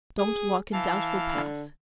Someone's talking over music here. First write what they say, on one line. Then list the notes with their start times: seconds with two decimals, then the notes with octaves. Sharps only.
Don't walk in doubtful paths.
0.18 G#4
0.73 E3 F5 A5
1.33 D3